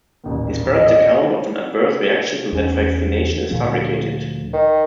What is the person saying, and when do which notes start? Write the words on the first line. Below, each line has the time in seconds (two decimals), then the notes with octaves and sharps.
His parents' account of an adverse reaction to that vaccination is fabricated.
0.24 D#1 A1 D#2
0.74 D#5
0.88 D5
2.53 E2 C#4
3.51 D2 A#2 F3
4.53 D#3